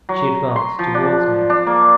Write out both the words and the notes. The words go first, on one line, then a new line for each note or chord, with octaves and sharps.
She advanced towards me.
F#3
C6
F3
D4
D4
A#3